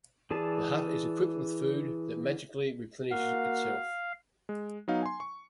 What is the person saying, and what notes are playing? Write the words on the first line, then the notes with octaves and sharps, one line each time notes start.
The hut is equipped with food that magically replenishes itself.
E3 G#4 D5 A5
A#3 F#4 F5
G#3
F#3 B3 D#4 F5
G#5 C6
C#6